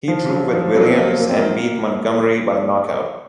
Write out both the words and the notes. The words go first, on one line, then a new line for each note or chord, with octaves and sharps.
He drew with Williams, and beat Montgomery by knockout.
F3
F#3
F3
F#3
C4
A#3
A#3
C4
A#3